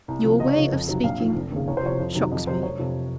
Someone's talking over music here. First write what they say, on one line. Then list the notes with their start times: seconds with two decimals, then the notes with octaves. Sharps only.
'Your way of speaking shocks me.
0.08 C2
0.24 C3 F3
0.40 C#2 D#5
0.48 C#5
0.55 C#3 F3 D#5
0.72 F2
0.88 C3 D#3 F#3
1.04 A#1 F5
1.20 G#2 F3
1.35 F1
1.52 D#2 C#3
1.68 C2 C#5
1.77 C5
1.83 C3 F3 C#5
1.99 F2
2.15 C3 D#3 F#3
2.31 F2 D#5
2.47 C3 F#3 C5
2.63 F1 C#5
2.79 F2 C3